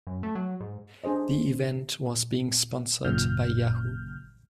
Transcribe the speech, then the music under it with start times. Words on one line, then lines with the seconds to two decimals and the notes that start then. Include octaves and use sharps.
The event was being sponsored by Yahoo!
0.07 F#2
0.23 A3
0.35 F#3
0.60 G#2
1.04 D4 G#4 C5 D#5
3.05 G#1 F#2 A#2 C#3 F6 G6